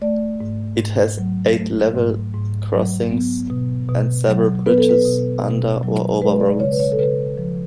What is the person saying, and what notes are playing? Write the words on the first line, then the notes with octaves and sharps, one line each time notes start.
It has eight level crossings and several bridges under or over roads.
A3 D5
G#2
G#2
F#3
A3
G#2
G#2
F#3
B3
B2
B2
F#3
B3 B4
A4
B4
B2
B2
F#3
G#3 B4
D5
C#3 C#5
B4
C#5
A4
C#3 B4
F3